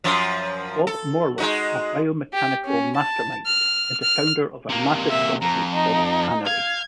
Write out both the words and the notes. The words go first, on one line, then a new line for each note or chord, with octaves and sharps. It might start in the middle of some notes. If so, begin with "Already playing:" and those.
Bob Morlock, a biomechanical mastermind, is the founder of a massive company called Kanary.
F#2 F3
A4
G#3 D#4 F#4
G4
C#4
A5
F6
F6
C3 A#3
E5
F2 A#5
D#4
F5 G#6